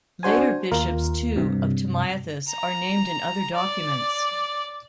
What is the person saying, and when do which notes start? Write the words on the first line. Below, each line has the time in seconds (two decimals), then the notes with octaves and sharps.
Later bishops too of Tamiathis are named in other documents.
0.23 D4 F#4 C5 G#5
0.72 D#2 F4 A#4
1.36 G2 C3
2.49 A#5
3.55 D5